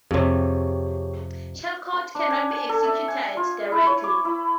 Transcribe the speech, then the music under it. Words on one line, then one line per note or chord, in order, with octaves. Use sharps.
Shellcode cannot be executed directly.
F2 C3 G4 G#4 C#5
C6
D4
G#5
G#5
A4
E5
G#5
F4
E4
C#5
D6
E4